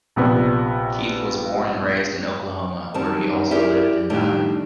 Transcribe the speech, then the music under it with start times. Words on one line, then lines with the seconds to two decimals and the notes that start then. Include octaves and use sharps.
Keith was born and raised in Oklahoma, where he also lived and died.
0.16 A#1 C3 B3
2.94 F#2 D#3 G3 C4 A5
3.51 E4 G4 G#4 A#4 D5
4.10 A2 D#3 G3 D4 G4